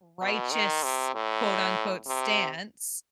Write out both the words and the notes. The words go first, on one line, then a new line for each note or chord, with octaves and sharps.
righteous, quote unquote "stance"
B2
D#3
C3
A2
C3